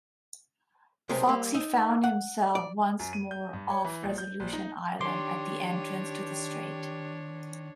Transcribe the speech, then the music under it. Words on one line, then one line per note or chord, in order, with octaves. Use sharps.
Foxe found himself once more off Resolution Island, at the entrance to the strait.
B1 C3 G#3 C4 A#4
G3 A#3
D#4 E5
F#5
D5
F#2
D#7
G6
G2
C#5
E3
A#1
G6
A#1
D#4
D#3 D4 G4 C#5 C6 D6